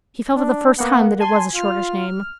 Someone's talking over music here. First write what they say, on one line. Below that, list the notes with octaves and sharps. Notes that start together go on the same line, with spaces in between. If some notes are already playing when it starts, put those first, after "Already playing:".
He felt for the first time that it was a shortish name.
D4
A#3 B3 F#5
G#5 A5 C6
F4 F6